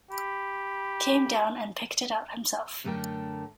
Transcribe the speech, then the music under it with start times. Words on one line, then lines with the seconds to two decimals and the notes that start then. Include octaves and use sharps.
Came down and picked it out himself.
0.11 G4 B5
2.84 F#2 D3 A3 A#4 G5